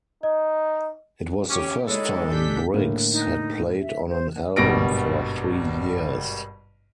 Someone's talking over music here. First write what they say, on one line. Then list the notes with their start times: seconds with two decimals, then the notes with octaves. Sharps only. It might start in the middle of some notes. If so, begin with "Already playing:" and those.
It was the first time Briggs had played on an album for three years.
0.23 D#4 D#5
1.49 C#4 G4 D6
1.88 G3 G#3 D#4 E4 A4 C#5
2.30 A1 G#3 D4 G4 G6 B6
2.74 A2 D3 A#3
3.11 D#4
3.82 E5
4.09 C5
4.56 G#1 G2 B2 A#6 D7